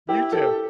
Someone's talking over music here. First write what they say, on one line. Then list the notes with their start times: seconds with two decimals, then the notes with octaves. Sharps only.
You too.
0.09 E4 G4
0.33 G4 A4